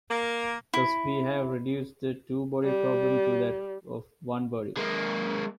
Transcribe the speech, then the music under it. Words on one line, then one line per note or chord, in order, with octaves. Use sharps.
Thus we have reduced the two-body problem to that of one body.
A#3
E4
G3
G#3 A#3